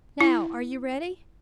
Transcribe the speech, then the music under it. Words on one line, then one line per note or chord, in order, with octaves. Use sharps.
Now are you ready?
E4